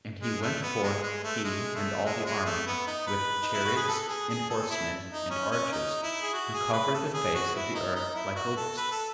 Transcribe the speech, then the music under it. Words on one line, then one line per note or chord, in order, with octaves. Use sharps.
And he went forth he and all the army, with the chariots, and horsemen, and archers, who covered the face of the earth, like locusts.
G#3
A3
B3
G#3
G#3
A3
G#3
A3
G#3
G#3
A3
B3
D#4
B4
D#4
E4
F#4
G#4
A4
G#4
G#4
A4
E4
D#4
C#4
C#4
D#4
E4
G#4
F#4
G#4
B4
A4
G#4
F#4
E4
D#4
D#4
E4
F#4
A4
B4
A4